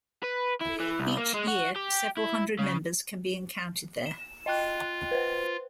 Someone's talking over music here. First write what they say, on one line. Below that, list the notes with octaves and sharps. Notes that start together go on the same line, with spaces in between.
Each year, several hundred members can be encountered there.
B4
E4
E3
C2
A#3
G#3
F#4
G4
E4
C#3
E7
F4 D#5 G5 F#6
B4 C5